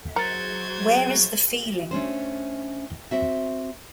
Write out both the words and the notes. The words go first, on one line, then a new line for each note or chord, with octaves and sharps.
Where Is the Feeling?
F#3 A#4 C5 G#6 A6 C#7
A3 C#4 D4 C5
C4 F#4 E5